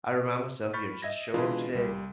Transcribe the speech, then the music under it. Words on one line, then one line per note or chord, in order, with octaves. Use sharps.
I remind myself, you know, "Just show up today,"
B5 C#6 F6 G6 A6 B6
D#5 E5 G#6 A#6
B2 E3 G#3 D4 E4 F4
C2 G3